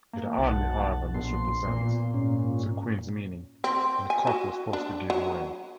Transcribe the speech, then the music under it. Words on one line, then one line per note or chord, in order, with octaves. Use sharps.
It hardly, however, misrepresents the Queen's meaning, and Cox was forced to give way.
A#3
B1 F#5 A5
A#1 B3 C6
A#2
G#2 C#4
C4
G#5
F#4
D4
F#3